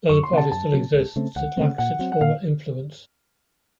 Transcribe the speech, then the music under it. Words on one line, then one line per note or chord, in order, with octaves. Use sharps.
Though the party still exists, it lacks its former influence.
F#2 C#6
C6
C#3 F#3 A#3 F#5
A5
F#2 A5
C#3 F#3 A#3
C#2
C#3 A3 C4
C#2 F#5
C#3 A3 C4
A#2 F#5
F#3 C4
F#5
A#2 F5